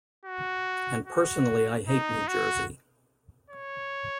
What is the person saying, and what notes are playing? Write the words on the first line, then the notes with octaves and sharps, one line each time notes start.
And personally I hate New Jersey.
F#4
F#4
D#4
F#4
C#5